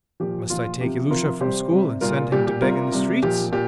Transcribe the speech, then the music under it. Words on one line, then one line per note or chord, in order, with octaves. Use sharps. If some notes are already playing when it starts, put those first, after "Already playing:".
Must I take Ilusha from school and send him to beg in the streets?
A#2 F3 G4
A#2 F3 F4
C3 F3 G4
C3 F3 F4 A#4
C3 G3 G4 C5
C3 G3
A#2 G3 F4 A#4
A#2 G3 G4
G4
C3 G3 F4 A#4
C3 G3
A#2 F3 G4
A#2 G4